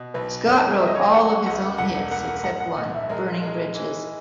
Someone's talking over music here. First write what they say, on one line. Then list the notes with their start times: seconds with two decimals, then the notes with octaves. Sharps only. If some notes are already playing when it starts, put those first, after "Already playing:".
Scott wrote all of his own hits, except one: Burning Bridges.
Already playing: B2
0.14 B1 B4
0.47 F#2 C#5
0.80 D#3 E5
0.87 D#5
0.95 C#5
1.02 D#5
1.12 A#3 F#5
1.46 C#2 F#5
1.78 E1 F#5
2.11 A#3 F#5
2.44 G#2 F#5
2.60 F#5
2.76 A#1 D#5
2.94 E5
3.09 G#3 A#4
3.43 G#3 A#4
3.75 E3